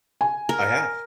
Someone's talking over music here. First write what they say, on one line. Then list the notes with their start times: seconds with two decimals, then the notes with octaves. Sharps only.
I have.
0.21 G#5
0.49 A#4